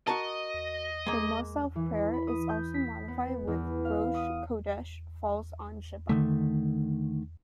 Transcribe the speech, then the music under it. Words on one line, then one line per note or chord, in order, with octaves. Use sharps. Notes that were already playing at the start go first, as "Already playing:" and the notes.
The "Mussaf" prayer is also modified when Rosh Chodesh falls on Shabbat.
F#4 A#4 D#5 A5
G#3 A#3
E3
B5
D#6
G6
B6
B3
E2
F5
D#6
D3 D#3 A3